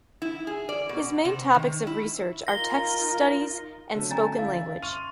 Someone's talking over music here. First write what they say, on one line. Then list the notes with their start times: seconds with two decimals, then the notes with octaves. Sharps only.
His main topics of research are text studies and spoken language.
0.22 E4
0.47 G#4
0.69 D5
0.89 B2
1.25 C3
1.55 D#3
1.87 E4
2.47 D#4 F4 A#4 A#6 G7
3.95 D3 F#3 A3
4.11 C#4 G#5 A#5 A6
4.39 E4 F5
4.82 C6 C#6 F6 D#7 F7